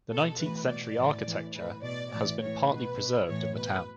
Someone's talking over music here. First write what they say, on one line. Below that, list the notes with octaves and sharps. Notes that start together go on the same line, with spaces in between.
The nineteenth century architecture has been partly preserved in the town.
B2 A4
A2 E3 B4
B2 D5
A2 E3
A2 E3
A2 E3 B4
B2 D5
A2 E3 D5
A2 E3 C#5
B2 B4
B2
A2 E3 C#5
B2 B4